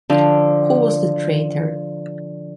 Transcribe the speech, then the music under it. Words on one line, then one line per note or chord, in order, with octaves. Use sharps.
Who was the traitor?
D3 F3 D4